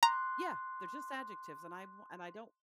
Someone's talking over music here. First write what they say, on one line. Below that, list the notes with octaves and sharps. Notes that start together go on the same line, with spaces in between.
Yeah. They're just adjectives, and I wa and I don't
A#5 C6 D6 F#6